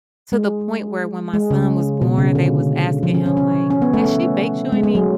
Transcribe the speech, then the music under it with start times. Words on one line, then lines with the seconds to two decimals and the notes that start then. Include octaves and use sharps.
to the point where when my son was born, they was asking him like, "Has she baked you any
0.32 G#3
1.34 G#3
1.51 C#3
2.02 B2
2.18 C#3
2.35 D3
3.03 F3
3.14 C#4
3.26 C#4
3.37 C#4
3.71 C#4
3.82 B3
3.94 A3
4.72 G#3
4.83 G#3
4.95 F#3